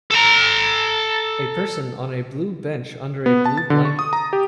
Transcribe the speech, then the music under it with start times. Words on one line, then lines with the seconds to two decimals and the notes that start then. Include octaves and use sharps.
A person on a blue bench under a blue blanket.
0.11 A4 A#5
3.26 B3
3.45 A5
3.58 A6
3.70 D3
3.85 C#6
3.99 D#6
4.13 A#5
4.33 G4